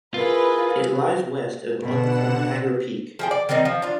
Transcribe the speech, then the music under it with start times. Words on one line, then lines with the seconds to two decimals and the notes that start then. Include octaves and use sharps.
It lies west of Uncompahgre Peak.
0.14 E4 F4 G#4 A#4 B4
1.83 B2 D3 F#5 E7
3.19 F3 G#4 G5
3.31 D5
3.49 D#3 G3 C4 D#4
3.65 F3
3.82 D4 F4